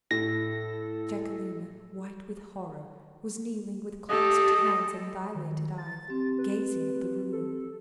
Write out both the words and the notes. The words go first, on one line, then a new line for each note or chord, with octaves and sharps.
Jacquelina, white with horror, was kneeling with clasped hands and dilated eyes, gazing at the ruin.
A2 A4 A#6
G4 A4 D#5
D#3
A6
C4 G4
B4
A4